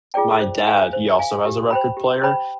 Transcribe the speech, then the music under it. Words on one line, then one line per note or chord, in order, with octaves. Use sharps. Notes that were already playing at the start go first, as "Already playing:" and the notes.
my dad, he also has a record player,
F4 G#4 D5 G5
C5
F5 G#5
C5
F5 G#5
G4
C5 G5 B5
G4
C5 G5 B5